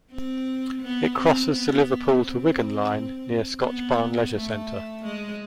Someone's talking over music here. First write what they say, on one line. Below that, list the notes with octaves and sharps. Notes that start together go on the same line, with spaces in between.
It crosses the Liverpool to Wigan Line near Scotchbarn Leisure Centre.
C4
B3
C4
B3
C4
B3
A3
G#3